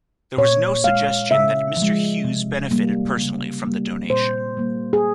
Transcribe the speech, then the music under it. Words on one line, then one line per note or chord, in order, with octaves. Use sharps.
There was no suggestion that Mr Hughes benefited personally from the donation.
A#2 C#5
G#3 F5
C#3 E5
F3
G#3
C3
G3 A#3
C#3
G3 A#3
A#2 C5
G3 A#3
G#4